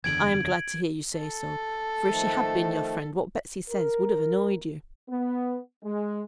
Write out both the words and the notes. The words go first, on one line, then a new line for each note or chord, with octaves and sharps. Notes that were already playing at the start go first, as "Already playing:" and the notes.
'I am glad to hear you say so, for if she had been your friend, what Betsy says would have annoyed you.'
F#1 E2 D3 G#6 D7 F#7
A4
D#3 F3 A3
A#4
B3
G#3